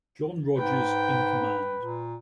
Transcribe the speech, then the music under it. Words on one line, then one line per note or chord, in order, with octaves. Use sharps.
John Rodgers in command.
G#2 B4 G5
A#2